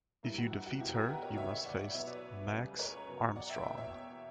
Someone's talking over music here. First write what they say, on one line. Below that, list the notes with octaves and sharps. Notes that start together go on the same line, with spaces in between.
If you defeat her, you must face "Max Armstrong".
G2 E3 G3 A#3 E4
F#4
E4
F#4
C#2 B2 F#3 A#3 E4 G4
F#4 A#4
G4 B4
A#4 C#5
D2 C#3 E3 C#5 E5
C#5 E5
D5 F#5
D5 F#5
B2 F#3 B3 C#5 E5
B4 D5
C#2 C#3 G3
B4
A#4 C#5
F#2 C#3 F#3 B3
D5 F#5
E5 G5
E2 B2 A#3 E5 G5
C#5 E5